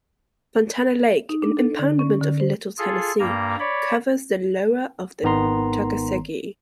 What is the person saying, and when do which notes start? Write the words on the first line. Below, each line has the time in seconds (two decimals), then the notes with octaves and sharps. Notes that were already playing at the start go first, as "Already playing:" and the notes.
Fontana Lake, an impoundment of the Little Tennessee, covers the lower of the Tuckasegee.
1.29 D#4
1.42 D4
1.57 A4
1.79 D3
1.99 C#4
2.21 D3
2.40 C5
2.78 F4 G#4 A4
3.19 G2 A#3 A#5
3.59 C#5 D5 B5
5.23 G#1 D#3 B3 A#5 C6